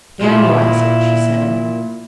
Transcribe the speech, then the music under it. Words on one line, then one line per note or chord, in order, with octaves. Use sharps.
"Analyse it," she said.
A#2 E4